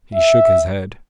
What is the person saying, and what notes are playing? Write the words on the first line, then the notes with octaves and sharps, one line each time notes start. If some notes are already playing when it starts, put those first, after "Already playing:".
He shook his head.
E5